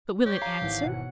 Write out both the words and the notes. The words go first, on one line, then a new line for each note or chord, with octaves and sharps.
But will it answer?
G4 C#5
F5 A#5 D6
G#1 E3
B2 F#5